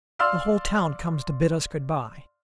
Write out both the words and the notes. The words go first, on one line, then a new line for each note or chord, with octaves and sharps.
The whole town comes to bid us good-by.
D5 F5 C6 E6 F6